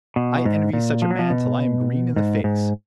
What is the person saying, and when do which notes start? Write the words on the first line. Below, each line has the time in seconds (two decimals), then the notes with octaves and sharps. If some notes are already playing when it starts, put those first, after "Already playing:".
I envy such a man till I am green in the face.
0.16 B2
0.45 G#2
0.73 A#2
1.02 F3
1.11 F#3
1.19 F3
1.30 B2
2.16 G#2
2.44 G#2